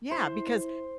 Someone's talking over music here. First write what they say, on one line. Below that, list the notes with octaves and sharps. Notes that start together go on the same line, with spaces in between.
yeah, because
E4 C5